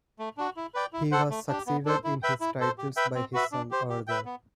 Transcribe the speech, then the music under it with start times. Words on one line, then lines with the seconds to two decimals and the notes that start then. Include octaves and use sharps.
He was succeeded in his titles by his son, Arthur.
0.19 A3
0.37 D4 F#4
0.56 E4
0.74 B4 D5 G5
0.93 E4
1.12 A4 C5 F#5
1.30 A3
1.49 D4 G4
1.67 B3
1.85 D4 A4 C5
2.04 E4
2.22 B4 E5 G5
2.41 E4
2.60 A4 C5
2.78 G4
2.96 B4 E5 G5
3.15 C4
3.33 F#4 B4 E5
3.52 D4
3.71 G4 C5
3.90 G4
4.07 B4 E5 G5
4.25 B3